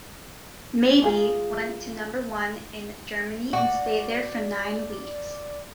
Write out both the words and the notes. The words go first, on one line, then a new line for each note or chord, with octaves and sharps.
"Maybe" went to number one in Germany and stayed there for nine weeks.
G#3 D#4 F4 G#4
F#4 D5